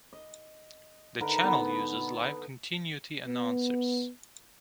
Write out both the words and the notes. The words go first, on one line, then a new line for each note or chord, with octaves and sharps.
The channel uses live continuity announcers.
D#5
D3 D#4 A#4 B4
B3
B3